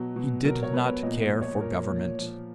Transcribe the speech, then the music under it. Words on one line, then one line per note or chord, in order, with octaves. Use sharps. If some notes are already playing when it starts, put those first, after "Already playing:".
He did not care for government.
Already playing: B2 F#3
B2
F#3 A#4
C#5
B2 B4
A#2 D#5
D#5
F3
C#5
A#2 A#4
A#2
F3